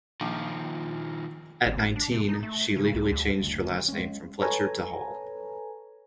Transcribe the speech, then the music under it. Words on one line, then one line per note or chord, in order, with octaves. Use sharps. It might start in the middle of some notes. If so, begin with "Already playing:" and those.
At nineteen, she legally changed her last name from Fletcher to Hall.
A#1 D#3 F3
G#1
D4
C3
D#4
A3
C#3
C2
D2
F#1 D2
G#3 C#4
A4 B4 C#5 G#5 A#5